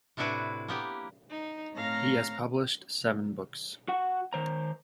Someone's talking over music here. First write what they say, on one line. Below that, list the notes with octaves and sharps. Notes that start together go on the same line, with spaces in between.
He has published seven books.
A2 C3 D4 E4 F#4 B4
A#3 B3 G4
D#4
A2 C4 C#5 F5 A#5 A#6
F#4 F#5
D#3 C5 A#5